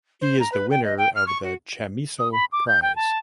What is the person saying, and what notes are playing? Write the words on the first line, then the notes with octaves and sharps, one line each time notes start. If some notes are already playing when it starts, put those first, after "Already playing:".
He is the winner of the Chamisso Prize.
C5
A#5
B4
G5
D#5
G5
F6
C#6
F#4
D#6
B5
D6
G6
G5
A5